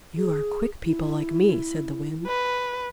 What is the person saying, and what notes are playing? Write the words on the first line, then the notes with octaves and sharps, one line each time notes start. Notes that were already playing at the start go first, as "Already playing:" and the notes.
"You are quick people like me," said the Wind.
G#4
E4
B4